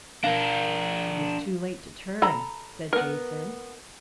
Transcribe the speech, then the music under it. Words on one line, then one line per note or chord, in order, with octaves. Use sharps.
"It is too late to turn," said Jason.
D4 A#4 F5
A4 A#5 B5
B3 A#4